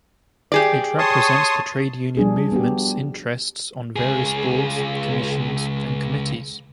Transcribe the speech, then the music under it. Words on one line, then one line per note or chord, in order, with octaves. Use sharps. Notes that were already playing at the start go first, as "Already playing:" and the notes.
It represents the trade union movement's interests on various boards, commissions and committees.
G4 G#4 D5
C#5 A5 C6 C#6 D#6
F3 G3 D4 G#4
B3 D4 F#4 G4
C#2 G#4